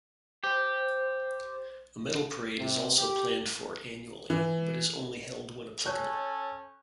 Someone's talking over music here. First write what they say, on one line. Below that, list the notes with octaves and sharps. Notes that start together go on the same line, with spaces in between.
A medal parade is also planned for annually, but is only held when applicable.
G4 C5
C3
G4
E3
C#4 A4 C#5 A5 F#6 G6